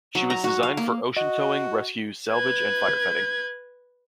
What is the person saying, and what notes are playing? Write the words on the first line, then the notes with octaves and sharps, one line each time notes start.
She was designed for ocean towing, rescue, salvage and fire-fighting.
F#3
A#5
F#4
F5
A#3
F#4 D#5
B4 G#6